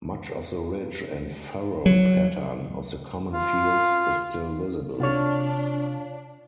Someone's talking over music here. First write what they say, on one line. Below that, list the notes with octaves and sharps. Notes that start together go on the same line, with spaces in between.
Much of the ridge and furrow pattern of the common fields is still visible.
F#3
F4
C3 D4 F4 C#5